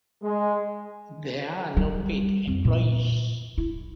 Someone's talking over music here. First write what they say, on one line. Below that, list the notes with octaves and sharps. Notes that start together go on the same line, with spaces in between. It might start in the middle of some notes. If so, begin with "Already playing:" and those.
There are no paid employees.
G#3
G3
F2
A#2
E4